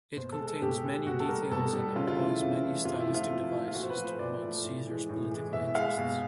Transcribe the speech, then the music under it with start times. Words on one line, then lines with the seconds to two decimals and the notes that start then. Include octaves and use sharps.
It contains many details and employs many stylistic devices to promote Caesar's political interests.
0.17 B2 C5
0.32 A4
0.39 G#3
0.47 A4
0.62 B2 G4
0.85 G#3
1.06 B2 F#4
1.20 A4
1.28 G3 A#4
1.51 B2 A4
1.73 G3
1.96 C#3 F4
2.07 F4
2.18 E3 A3 E4
2.41 C#3
2.63 E3 A3
2.85 C3 F4
3.00 E4
3.07 F3 A3
3.14 F4
3.30 C3
3.53 F3 A3
3.68 F4
3.74 A#2 F#4
3.83 C5
3.90 B4
3.97 F3 A3
4.05 C5
4.19 A#2 D5
4.42 F3 A3
4.64 A2
4.86 E3 G#3
5.09 A2
5.31 E3 G#3
5.53 B2 E5
5.75 G#3 F5
5.98 B2